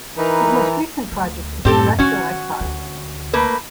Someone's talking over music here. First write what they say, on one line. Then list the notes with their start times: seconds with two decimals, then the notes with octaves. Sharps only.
His most recent project is Terrestrial Exiled.
0.17 E3 D#4 A#4 B4 A#5
1.12 D2
1.65 F#2 A2 C4 G4 A4
1.99 D#3 C#4 F#4
2.61 D2 D3
3.33 A3 A#3 B4